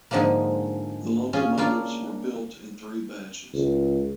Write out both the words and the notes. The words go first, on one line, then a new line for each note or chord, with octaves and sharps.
The locomotives were built in three batches.
G#2 D3 F3 G#3 A#3
C#4 F4 G#4
A#3 D4 F4
C#2